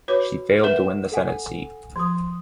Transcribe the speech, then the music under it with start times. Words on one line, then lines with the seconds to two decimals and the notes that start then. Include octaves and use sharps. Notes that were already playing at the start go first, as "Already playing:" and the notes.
She failed to win the Senate seat.
0.08 F#4 B4 C#5 D6
0.64 A#4 B4 E5 F#5 E7
1.12 A4 F#5 G#5
1.96 F3 C6 D#6